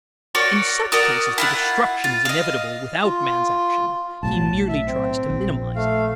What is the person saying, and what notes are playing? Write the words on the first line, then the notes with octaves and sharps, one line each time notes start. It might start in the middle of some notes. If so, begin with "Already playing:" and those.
In such cases the destruction is inevitable without man's action; he merely tries to minimize it.
F#4 A#4 C#5 D5
F#4 A#4 D5 D#6
E4 F4 F#5
F4
D#5 F5
F4
B1 A2 F#3 A5
E5
C4
A#1
A3 F5